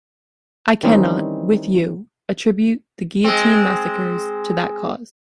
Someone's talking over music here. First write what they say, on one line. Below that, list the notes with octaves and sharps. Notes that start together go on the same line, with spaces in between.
I cannot, with you, attribute the guillotine massacres to that cause.
D#3 E3 G3 C4 C#4 D#4
G#3 C4